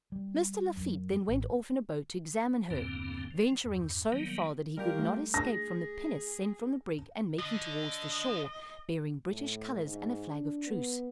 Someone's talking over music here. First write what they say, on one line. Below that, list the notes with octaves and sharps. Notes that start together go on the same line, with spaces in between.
Mr. Lafitte then went off in a boat to examine her, venturing so far that he could not escape from the pinnace sent from the brig, and making towards the shore, bearing British colors and a flag of truce.
G3
F#2
G#1
E2 G2 A#2 D3 A#3 C4
F3
E2 G2
D#3 F#3 G3 A#3 B3
G3 F4 G4 A#4
A3
G#4 A#6
D3 D#5
A2
G#2
D4
B3